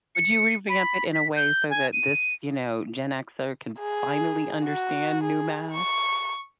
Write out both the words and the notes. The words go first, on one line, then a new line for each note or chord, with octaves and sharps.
Would you revamp it in a way so that this, you know, Gen Xer can finally understand new math?
C#7
B5
B6
G6
G#5
D#7
G#4
F#4
G#4
C#6